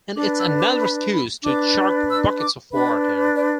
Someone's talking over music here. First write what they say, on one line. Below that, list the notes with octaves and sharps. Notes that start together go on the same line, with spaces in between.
And it's another excuse to chuck buckets of water!
D4 B4 D6
E6
D6
B5
B5
D4 B4 D6
E6
D6
D4 B4 B5
D5